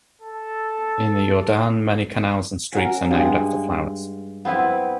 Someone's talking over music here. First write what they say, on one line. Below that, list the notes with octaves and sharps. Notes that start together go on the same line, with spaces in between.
In the Jordaan many canals and streets are named after flowers.
A4
C#4 F#4 A#4
G2 G#3 F#5
B3 C4 E4 B4